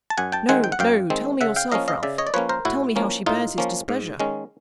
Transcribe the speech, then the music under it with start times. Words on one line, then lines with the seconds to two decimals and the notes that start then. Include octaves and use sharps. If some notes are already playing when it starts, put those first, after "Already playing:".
"No! no! tell me yourself, Ralph--tell me how she bears his displeasure!"
0.10 A5
0.18 F#2 F#5 G#5
0.32 G5 A5
0.49 D#3 G#3 C4 F#5 G#5
0.64 G5
0.72 F#5
0.79 F#2 F5 G5
1.10 D#3 G#3 C4
1.41 C#3 E5 F#5
1.56 F5 G5
1.72 F3 A#3 C#4 D#5 F5
1.88 D#5 F5
2.03 C#3 D5 E5
2.18 C#5 D#5
2.27 D5
2.34 F3 A#3 C#4 B4 C#5
2.49 A#4 C5
2.65 A2 E4 F#4
2.96 F3 A#3 C#4
3.26 A2 D#4 F4
3.58 F3 A#3 C#4
3.89 G#2
4.20 D#3 G#3 C#4